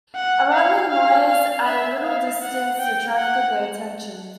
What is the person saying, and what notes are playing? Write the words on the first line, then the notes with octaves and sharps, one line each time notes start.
A rattling noise at a little distance attracted their attention.
F#5
F5
F5
F5
E5
F5
F#5
G5
F#5